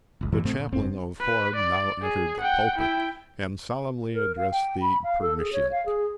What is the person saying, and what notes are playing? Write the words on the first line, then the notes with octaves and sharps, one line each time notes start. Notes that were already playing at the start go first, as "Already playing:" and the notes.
The chaplain of Horb now entered the pulpit, and solemnly addressed the "permitiant."
F#1 C#2
G2 A#2 E3 G3
G#2 B2 A3 C4
A#2
F#1 F#2 C4
B4
D5
G#4
F#5 G5
E4 G5
A#4
F5
G5
B5
F5
A4
G#4
C#5
F5
G#4